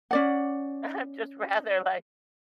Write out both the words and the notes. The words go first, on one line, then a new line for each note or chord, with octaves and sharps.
I'm just rather, like,
C#4 D5 F#5